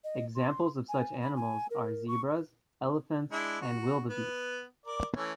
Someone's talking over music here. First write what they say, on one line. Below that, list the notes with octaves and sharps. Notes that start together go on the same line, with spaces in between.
Examples of such animals are zebras, elephants, and wildebeest.
D#5
C6
G#5
B5
G#5
A#4
C#6
G#3 D4 E4
F#4
B3
A#4 D5
E3 A3 C#4